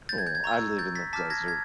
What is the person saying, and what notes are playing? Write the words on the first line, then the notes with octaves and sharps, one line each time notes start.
Cool, I live in the desert.
G6 A6
G#6
G6
G#6
A#5 C#6 E6
G6 A6
A6 B6
A5 D6 F6 A6 B6
G#6 A#6
G#6